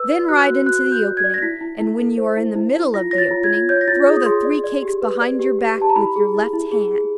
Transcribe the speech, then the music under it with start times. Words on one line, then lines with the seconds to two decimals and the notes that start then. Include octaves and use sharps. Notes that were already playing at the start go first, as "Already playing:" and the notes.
Then ride into the opening, and when you are in the middle of the opening, throw the three cakes behind your back with your left hand.'
Already playing: B4 E6
0.10 D5
0.28 F#4 F#6
0.48 F#4
0.66 F#4 F#6
0.86 F#4
0.92 G6
1.04 D5
1.17 G#6
1.24 D5
1.34 A#6
1.42 E4 B6
1.61 E4
1.80 E4
1.99 A4
2.18 C5
2.37 E4
2.56 E4
2.75 E4
2.94 F4 A#6
3.11 C#5 A#6
3.18 A6
3.31 F4
3.44 G#6
3.51 F4
3.69 C#5 G6
3.81 A#6
3.88 F4 A6
4.07 G#4 D#6
4.26 G#4 C6
4.45 D5
4.64 D5
4.83 G4
5.02 B4
5.21 D5
5.39 G4
5.59 G4
5.78 G4 A5
5.89 A#5
5.96 E4 B5
6.16 G#4
6.34 E4
6.53 E4
6.71 G#4
6.91 G#4